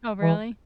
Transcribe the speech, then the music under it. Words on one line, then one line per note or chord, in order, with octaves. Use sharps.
Oh, really?
E3